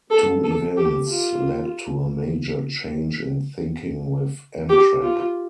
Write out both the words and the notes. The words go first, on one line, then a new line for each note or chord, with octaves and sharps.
Two events led to a major change in thinking within Amtrak.
A4
A4
G4
F4
G4
F4